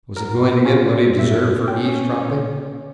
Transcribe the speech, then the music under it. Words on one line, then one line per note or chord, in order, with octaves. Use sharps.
Was he going to get what he deserved for eavesdropping?
F#4 A#4
C#4 F4
E5
C#4 G5